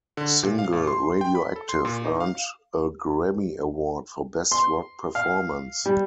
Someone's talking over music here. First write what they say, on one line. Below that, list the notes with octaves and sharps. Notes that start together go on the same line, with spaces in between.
Single "Radioactive" earned a Grammy Award for Best Rock Performance.
D3
A#2
F5
A2
C6
G5
B5
A4
C6
A#2
D#4
F5
C6
F5
G3